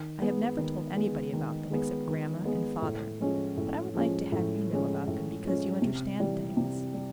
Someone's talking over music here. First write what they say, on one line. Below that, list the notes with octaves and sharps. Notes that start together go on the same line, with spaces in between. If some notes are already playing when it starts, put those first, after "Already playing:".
I have never told anybody about them except grandma and father but I would like to have you know about them because you understand things.
Already playing: D#3
G#3 B3
D#3
G#3 B3
D#3
G#3 B3
D#3
G#3 B3
A2
F3 G#3 C#4
A2
F3 G#3 C#4
A2
F3 G#3 C#4
A2
F3 G#3 C#4
C3
E3 G3
C3
G3